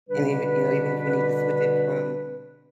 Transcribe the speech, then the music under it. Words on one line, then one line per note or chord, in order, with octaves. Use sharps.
And even you know, even if we need to switch it from,
B2 D3 G3 D4 B4